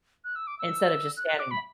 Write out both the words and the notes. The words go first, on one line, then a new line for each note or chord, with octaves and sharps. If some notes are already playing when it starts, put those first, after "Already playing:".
instead of just standing
F#6
E6
D6
E6
F#6
F#6
D6
B5